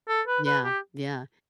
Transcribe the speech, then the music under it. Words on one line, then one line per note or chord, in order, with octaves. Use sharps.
Yeah. Yeah.
A4
B4
B4
G4